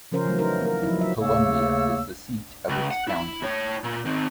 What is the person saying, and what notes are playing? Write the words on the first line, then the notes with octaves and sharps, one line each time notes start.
Columbia is the seat of its county.
C#3 F3 C#4 A#4 C5
E3 F#3 A3
D#4 A#4 C5
A#3 A#4
F3 F#3 D#4 E4
F#3 E5
D#2 C#3 A3 A#3 C#5 E6
C#2
F#5
E4
E4 C#5
A#2
D#3 C4